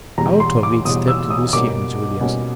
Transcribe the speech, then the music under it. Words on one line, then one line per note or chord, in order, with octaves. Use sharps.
Out of it stepped Lucy and Julius.
E2 B2 G3 A#5
C6
D6
E2 B2 G3 D#6
E6
D#6
B2 G3 A#3 C#4 D6
B2 G3 A#3 C#4